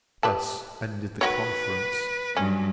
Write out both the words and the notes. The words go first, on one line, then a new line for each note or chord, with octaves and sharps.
Thus ended the conference.
G4 B4 A5
D#3 F#4 B4 C#5
G2 F#3 C#4